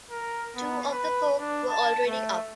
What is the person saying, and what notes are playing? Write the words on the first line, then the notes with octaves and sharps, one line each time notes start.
Two of the Folk were already up.
A#4
B3
B4
D4
A5
A3